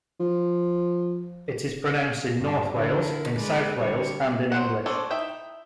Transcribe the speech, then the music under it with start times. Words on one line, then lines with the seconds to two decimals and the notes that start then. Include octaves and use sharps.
It is pronounced in North Wales, in South Wales, and in English.
0.20 F3
2.39 G2
2.74 D3 E4 A#4
3.36 G#3 B4 D5
3.78 D3 G3 C#5
4.52 F#3 C5 F#5
4.86 D4 A4 C5 C#5
5.11 D#4 E4 E5 G5